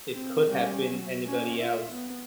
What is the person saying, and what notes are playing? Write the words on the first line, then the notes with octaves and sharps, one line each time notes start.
It could have been anybody else.
C4
G3 C#4
F#3
A#3 C#4
F4 E5
B3